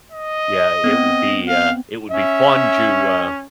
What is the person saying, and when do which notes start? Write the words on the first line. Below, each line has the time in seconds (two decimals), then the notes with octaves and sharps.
Yeah, it would be, uh it would be fun to, uh
0.12 D#5
0.84 B3 C4
1.48 F5
2.10 C#4 E5